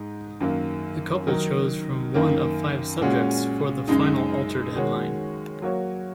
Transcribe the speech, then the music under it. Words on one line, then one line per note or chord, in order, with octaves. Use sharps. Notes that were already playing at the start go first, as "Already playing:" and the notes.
The couple chose from one of five subjects for the final altered headline.
Already playing: G#2 G#3 D#4
F#2 D#3 F#3 A#3
D#3 F#3 D#4 A#4
F#2 D#3 A#3
A#2 G#3 C#4 F#4
F#2 C#3 G#3 D#4
D#3 G#3 F#4 C#5
F#3 A#3 F#4 C#5